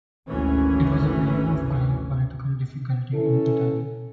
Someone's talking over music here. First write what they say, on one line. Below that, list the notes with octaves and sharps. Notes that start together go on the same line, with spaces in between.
It was a period of great political difficulty in Italy.
G#1 D2 E3 C#4
E3 C#4 E4 A4